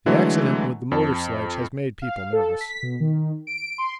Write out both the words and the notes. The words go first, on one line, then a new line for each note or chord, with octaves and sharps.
The accident with the motor sledge has made people nervous.
D3 E3 F#3 G#3 A3
F2 A5
F5
A4
B6
B2
D#3
D7
C6